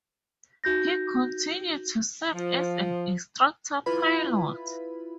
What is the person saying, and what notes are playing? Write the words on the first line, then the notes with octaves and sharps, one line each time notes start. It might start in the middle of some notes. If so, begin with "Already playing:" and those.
He continued to serve as an instructor pilot.
D#4 F#4 G6 A#6
F3
E4 F4 B4 B5